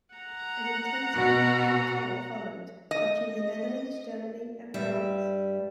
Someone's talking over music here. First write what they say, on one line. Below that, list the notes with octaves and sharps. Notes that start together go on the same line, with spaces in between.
An intensive European tour followed, touching the Netherlands, Germany and France.
F#5 A#5
B2 F#4
D#5
G2 G3 E5